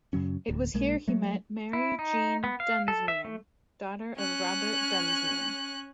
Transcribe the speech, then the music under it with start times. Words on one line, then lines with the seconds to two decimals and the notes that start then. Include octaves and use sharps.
It was here he met Mary Jean Dunsmuir, daughter of Robert Dunsmuir.
0.13 F#2 C#3 F#3 C#4
0.49 D1 D2
0.74 B1 G#3 A#3
1.08 F#3 G#3 A3
1.73 E4
1.99 D#4
2.44 B3
2.60 F5
2.88 A4
3.08 E5
3.25 A3
4.17 C#4 F#6